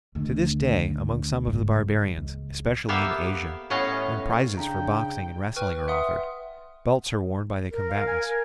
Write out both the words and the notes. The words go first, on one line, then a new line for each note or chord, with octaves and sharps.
To this day among some of the barbarians, especially in Asia, when prizes for boxing and wrestling are offered, belts are worn by the combatants.
D2 D#3
G#2 C#3
C#2
A#3 B3 G4 A4 E5 F5
A2 B3 C#4 D#5 F5
C#3 D4 G5 A#5
B4 G5 C#6 F6 D#7
E5 F#5 C6 D#6
A#4
F5
G#5